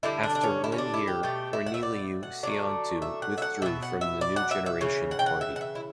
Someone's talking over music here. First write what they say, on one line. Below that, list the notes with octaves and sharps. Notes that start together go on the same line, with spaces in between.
After one year Corneliu Ciontu withdrew from the New Generation Party.
D3 G3 E4
D4
D4
C#4
E4
C#4
D4
E4
G4
B2 A3 G4
E4
F#5
E5
D5
F#5
D3 F#3 A3 D5
E5
F#5
E5
F#5
B2 G3 E5
F#5
E5
D5
F#5
E5
E5
C#3 E3
F#5
G5
F#5
E5
F#5
E5
E4